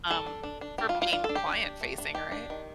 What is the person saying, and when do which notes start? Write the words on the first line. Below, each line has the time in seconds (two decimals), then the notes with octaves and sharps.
um, for being client facing, right?
0.10 G3 A4
0.26 D4
0.43 D4
0.61 D4
0.78 D4 G4
0.89 F4
0.95 G3
1.02 F4
1.12 D4 F4
1.24 A4
1.29 D4
1.35 G4
1.46 D4
1.63 D4
1.81 A3
1.98 D4
2.15 D#3 G4
2.32 D4
2.50 D#3